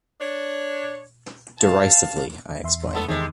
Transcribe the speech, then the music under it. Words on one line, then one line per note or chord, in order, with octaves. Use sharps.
"Derisively," I explained.
D4 C#5
F5 A5
E2 E5 C6
A3 B3 A4
E2 C3 D#3 G#3